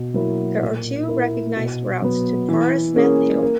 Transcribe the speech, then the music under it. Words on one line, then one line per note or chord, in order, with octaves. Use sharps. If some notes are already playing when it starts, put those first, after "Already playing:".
There are two recognized routes to Parasnath Hill.
Already playing: B2
F#3 A#3 E4
A#2
A#3 E4
B2
F#3 B3
E3
A#3 C#4 G#4
A#3